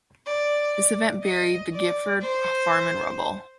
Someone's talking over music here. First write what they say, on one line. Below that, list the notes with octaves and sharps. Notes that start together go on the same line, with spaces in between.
This event buried the Gifford farm in rubble.
D5
D#5
D5
C5